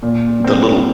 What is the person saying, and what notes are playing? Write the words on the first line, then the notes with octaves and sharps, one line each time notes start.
the little
A#2
C4